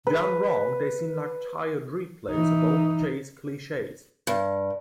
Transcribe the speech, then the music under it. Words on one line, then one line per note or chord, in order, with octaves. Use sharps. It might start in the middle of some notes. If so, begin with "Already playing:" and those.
Done wrong, they seem like tired replays of old chase cliches.
B4
E3 D#4
G2